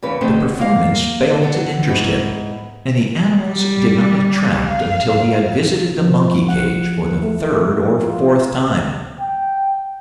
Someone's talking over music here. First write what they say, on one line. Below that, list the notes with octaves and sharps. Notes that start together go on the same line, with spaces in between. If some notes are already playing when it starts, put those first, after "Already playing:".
The performance failed to interest him, and the animals did not attract until he had visited the monkey-cage for the third or fourth time.
E2 C#3 B4
F2 D3 A3 G#4 C5
B3
A#3 F5
D3 B3 A4
G#2 B3 E4
G3
F5
F3
F#5
A3
F4
G5